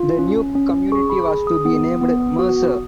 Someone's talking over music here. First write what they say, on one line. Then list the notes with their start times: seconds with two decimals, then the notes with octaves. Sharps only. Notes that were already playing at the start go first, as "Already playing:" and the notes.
The new community was to be named Mercer.
Already playing: F4
0.18 C#4
0.55 C#4
0.92 G#4 C#6
1.10 B5
1.28 G#4
1.47 D#6
1.65 B3
2.02 B3
2.39 F#4